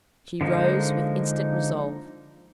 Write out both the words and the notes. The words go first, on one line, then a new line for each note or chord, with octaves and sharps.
She rose with instant resolve.
D3 F3 G#3 A#3 D#4